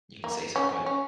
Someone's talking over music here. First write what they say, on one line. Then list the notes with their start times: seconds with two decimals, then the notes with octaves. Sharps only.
you can say so, but
0.24 A#3
0.56 C#4
0.69 C#4
0.86 C#4